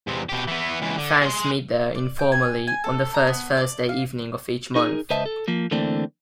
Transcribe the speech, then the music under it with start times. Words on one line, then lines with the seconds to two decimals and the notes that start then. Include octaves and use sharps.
Fans meet there, informally, on the first Thursday evening of each month.
0.07 E2 C3
0.29 B2 G4
0.48 E3 B3
0.82 C#2 E3
0.97 D3
1.22 G#4 C6
1.95 D5
2.19 G5
2.32 G#5
2.67 G#5
2.84 A4
3.14 A#5
3.27 B3
3.57 D5
3.89 F5
4.76 D#4 G#4 A#4
5.10 C#2 B4 C5 D#5 E5 A5
5.26 A4
5.48 F3 A#3
5.71 D3 E3 A3 A#3 C4 D4